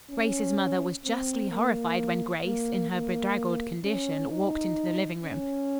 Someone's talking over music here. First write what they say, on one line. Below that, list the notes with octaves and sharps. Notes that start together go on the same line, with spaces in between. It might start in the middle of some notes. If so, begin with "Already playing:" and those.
Grace's mother was justly horrified when Grace, in her bedraggled condition, walked into the living room.
C#4
C4
A#3
A#3
A#3
C#4
D#4
C#4